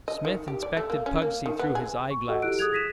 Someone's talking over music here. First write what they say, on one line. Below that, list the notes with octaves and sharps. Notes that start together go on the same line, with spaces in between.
Smith inspected Pugsy through his eyeglass.
D#5
D#3
G4
D5
A3
A#3
C#4
A#3
D#3
B3
G#4
C#6
F#4 A4 D#5 F#5 E6
E4 G4 F#6 D7
G#4 D#6 F#6 G#6 F7
G#6 A#6 B6 D#7 E7